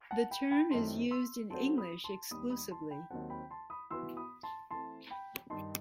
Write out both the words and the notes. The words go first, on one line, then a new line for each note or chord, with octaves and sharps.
The term is used in English exclusively.
F#5 A5
G5 B5
G5 B5
F#2 D#3 A3 C4 E4 A5 C6
C6 E6
F#3 A3 C4 F#4 C5 A5 C6
B5 D#6
A5 C6
D#2 D#3 G3 D#4 B5 D#6
B5 D#6
A5 C6
G5 B5
D#2 D#3 F#3 C4 F#5 A5
G5 B5
A5 C6
B5 D#6
E3 B3 F#4 B4 C6 E6
B5 D#6
A5 C6
E3 A3 C4 A5 C6
G5 B5
G2 D#3 G3 D#4 A5 C6